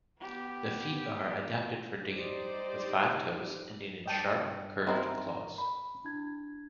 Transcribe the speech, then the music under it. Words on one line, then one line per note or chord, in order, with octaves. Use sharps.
The feet are adapted for digging, with five toes ending in sharp, curved claws.
B3 G4
G3 D#4 G4 C5 D5
G2 D#5 G5 A5
D#3 C4 E4 A#4
B5
D4 E4 G#6